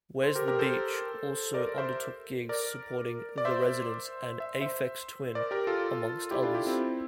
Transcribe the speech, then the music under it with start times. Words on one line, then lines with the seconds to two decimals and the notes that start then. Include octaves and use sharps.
Where's the Beach also undertook gigs supporting The Residents and Aphex Twin, amongst others.
0.23 A4 C5
0.36 G4 A#4
0.48 G4 A#4
0.59 A4 C5
1.54 A#4 D5
1.78 C5 E5
2.49 A#4 D5
3.38 D5
3.45 C5 E5
4.40 E5
4.61 C5 E5
5.35 A#4 D5
5.51 G4 A#4
5.67 F4 A4
6.31 E4 G4
6.43 D4 F4
6.54 E4 G4
6.66 C4 E4